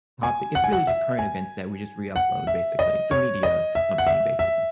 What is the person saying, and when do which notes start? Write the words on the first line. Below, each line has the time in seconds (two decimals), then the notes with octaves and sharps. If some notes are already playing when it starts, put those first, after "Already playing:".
Pop. It's really just current events that we just re-upload basically. It's a media company, basically.
0.23 G#5
0.55 F#5
0.64 G#5
0.73 F#5
0.87 E5
1.19 G#5
2.16 F#5
2.47 E5
2.79 D#5
3.11 C#5
3.43 D#5
3.75 E5
3.98 F#5
4.07 E5
4.39 E5